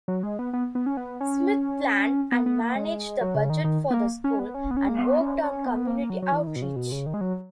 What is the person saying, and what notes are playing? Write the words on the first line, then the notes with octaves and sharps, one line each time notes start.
Smith planned and managed the budget for the school, and worked on community outreach.
F#3
G#3
B3
B3
B3
C#4
B3
C#4
B3
B3
A#3
G#3
F#3
C#3
D#3
D#3
B3
A#3
C#4
B3
C#4
B3
C#4
A#3
B3
C#4
C#4
B3
A#3
F#3
F#3
E3
D#3
B2
C#3
B2
C#3
D#3
G#3
F#3